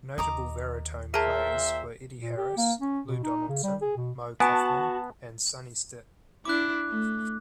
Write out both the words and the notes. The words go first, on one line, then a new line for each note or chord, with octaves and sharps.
Notable Varitone players were Eddie Harris, Lou Donaldson, Moe Koffman, and Sonny Stitt.
D#2 D#5 A#5 D6
A#2 G#4 A#4 C5 E5 G#5 A5
A#2
G4
A#3
C#4
B2
D#4
C#3
G3
G#4
B2
B3 F#4 G#5 A5
D4 E4 D6 F#6
A3